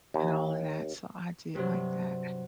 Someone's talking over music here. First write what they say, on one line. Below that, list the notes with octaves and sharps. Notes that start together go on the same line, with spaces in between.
and all of that so I did like that.
D#2
G2 C3 F#3